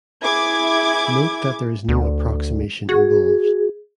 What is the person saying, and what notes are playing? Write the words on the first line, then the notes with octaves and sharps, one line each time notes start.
Note that there is no approximation involved.
E4 G#4 D6 G#6
D2
F#4 G#4